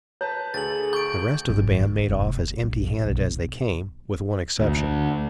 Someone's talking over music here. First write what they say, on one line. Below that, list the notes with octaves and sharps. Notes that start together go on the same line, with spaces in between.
The rest of the band made off as empty-handed as they came, with one exception.
B4 C#5 A5 A#5
D2 G#4 A4 A6 F#7
C#6 G6 D7
G#1
G#3
D3
F1
A#3
A#1
G#2
B1
D2